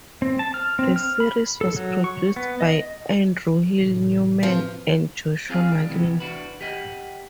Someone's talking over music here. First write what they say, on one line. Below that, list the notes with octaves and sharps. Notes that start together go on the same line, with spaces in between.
The series was produced by Andrew Hill Newman and Joshua Malina.
C4
A5
F6
C4
F6
B5
A4
F#3
C#6
B3
D#5
A2 C3 E3
F3 C4 B4
C4 F4 G#4 F5
G#3 D4
C3 E3 G#3 B3
D4 F#4 B4
G4 D#5 F#5